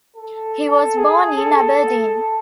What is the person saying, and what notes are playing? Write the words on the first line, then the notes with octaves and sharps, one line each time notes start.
He was born in Aberdeen.
A4
G#4
A4